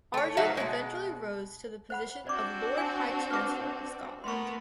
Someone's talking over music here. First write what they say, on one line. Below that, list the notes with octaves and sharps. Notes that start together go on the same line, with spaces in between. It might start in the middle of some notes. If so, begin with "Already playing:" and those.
Argyll eventually rose to the position of Lord High Chancellor of Scotland.
A3 C#5
F#3 D#4 F#4 E5 F5
B2 G#3
C5 F#5 B5
C4 D4 F#4 D5 D6
G#5
B4 D6
A3 B3 A#4 C6 C#6